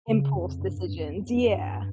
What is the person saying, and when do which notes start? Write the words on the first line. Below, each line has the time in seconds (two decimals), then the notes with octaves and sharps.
impulse decisions, yeah.
0.08 C#3
0.34 F2
0.60 G2
0.77 G2
0.95 F2
1.12 E2
1.29 F2
1.47 G2